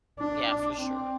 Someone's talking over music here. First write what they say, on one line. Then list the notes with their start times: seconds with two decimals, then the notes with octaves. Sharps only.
yeah, for sure.
0.19 D4
0.49 D4
0.80 C4